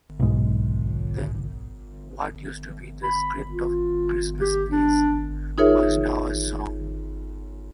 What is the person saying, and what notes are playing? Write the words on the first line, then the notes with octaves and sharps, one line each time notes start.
Then, what used to be the script of a Christmas play, was now a song.
B1 G#2
B5
F4
G4
D4
D#4 F4 G#4 A#4 C#5 E5